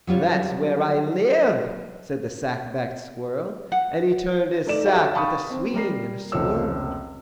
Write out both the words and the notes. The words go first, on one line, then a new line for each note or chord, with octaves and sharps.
"That's where I live," said the sack-backed squirrel, And he turned his sack with a swing and a swirl.
F#3 G3 F4 C#5
F#5
A3 D#4 D5 E7
F#4 G4 A4 C#5 E5 F5
F5 G5 A5 B5 C#6 D#6
C4
G3 A#4 C7
F1 C#2 F3 A3 C#5 E6